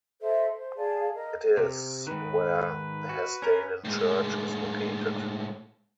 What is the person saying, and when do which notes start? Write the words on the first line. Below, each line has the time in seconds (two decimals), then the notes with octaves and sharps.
It is where Hessdalen Church is located.
0.21 A4 C5 D#5 E5
0.56 C5
0.77 G#4 D5 F5 A5
1.14 A#4 D#5
1.57 C3
2.07 G#2 D#3 B4
3.09 F#4
3.42 C#4 A#4
3.84 A2 G#3